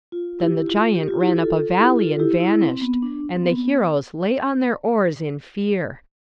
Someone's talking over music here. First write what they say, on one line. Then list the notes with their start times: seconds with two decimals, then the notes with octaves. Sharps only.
Then the giant ran up a valley and vanished; and the heroes lay on their oars in fear.
0.12 F4
0.40 E4 G4
0.67 F4
0.95 G4
1.08 F4
1.20 E4 G4
1.36 F4 A4
1.78 E4 G4
1.98 F4 A4
2.19 E4 G4
2.40 E4
2.61 C4
2.81 B3
3.02 D4
3.35 C4
3.43 B3